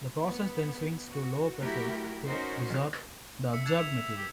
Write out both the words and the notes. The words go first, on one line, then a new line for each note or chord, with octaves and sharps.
The process then swings to low pressure to desorb the adsorbed material.
B3
F#4
F#3 A3 E4 F#4 G4 A#4
C#4 D#4 F#4 A#4 C5
E5 E6 C#7
D4 G#6 E7 F7
E5
G4